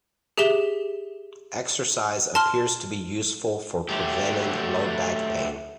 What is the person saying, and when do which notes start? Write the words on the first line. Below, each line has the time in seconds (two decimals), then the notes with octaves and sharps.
Exercise appears to be useful for preventing low back pain.
0.38 G4 G#4 E5 E7 G7
2.35 A5 C6 F6
3.89 F#3 A3 G4